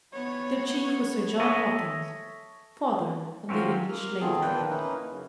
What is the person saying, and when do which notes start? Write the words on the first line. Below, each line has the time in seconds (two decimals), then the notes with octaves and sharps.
Their chief was Sir John Hawkins, father of the English slave-trade.
0.13 B3 C#5
1.40 A4 C#5 D#5 E5 G#5
3.49 D#3 F3 F#3 C4 C#4
3.89 A#3 F6
4.21 B2 D#3 F3 C4 G#4 A4
4.41 E2 A#2 F3 A#3 B4 G5
4.70 A#3 C#4 D#4 E4 B4
5.09 F#2 C#3